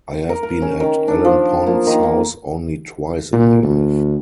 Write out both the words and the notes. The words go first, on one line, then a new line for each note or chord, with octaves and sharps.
I have been at Ellen Pond's house only twice in my life.
C#6
A#4
A#4
C#4
D#3
D4
F3
A#3
D#3
A#3
A#2
D2